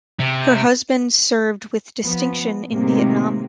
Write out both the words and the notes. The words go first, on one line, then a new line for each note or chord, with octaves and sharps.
Her husband served with distinction in Vietnam.
C3
F3 B3
A2 C3 D#3 G#3 A#3